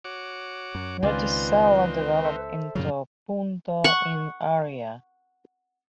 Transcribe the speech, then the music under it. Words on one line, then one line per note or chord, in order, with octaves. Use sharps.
Reticella developed into Punto in Aria.
F#4 C#5 D6
F#2
C#2 D#3 C4 F4 B4 D5 G#5
A4 C5 E5
F#2 A#2 C#3 F3 F#3
F#5 C#6